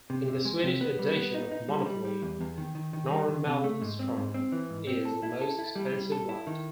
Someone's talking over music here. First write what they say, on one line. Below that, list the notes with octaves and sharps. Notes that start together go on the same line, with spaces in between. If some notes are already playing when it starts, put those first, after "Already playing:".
In the Swedish edition of "Monopoly", Norrmalmstorg is the most expensive lot.
C3
C3
G#3
C3
B3
G3
B3
D#4
D#4
G3
G3
G3
E2
E2
D#3
D#3
D#3
G3
D#3
C3
A3
G#2
C4
G#2
C4
E3
G#2
C4
A4
E4
A4
E4
G3
G3
A4
E4
D#3